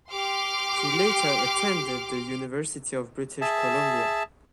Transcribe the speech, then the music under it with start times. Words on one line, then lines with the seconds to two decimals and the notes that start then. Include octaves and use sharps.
He later attended the University of British Columbia.
0.11 G4 C6 D6 F6
3.41 G#4 E5 A5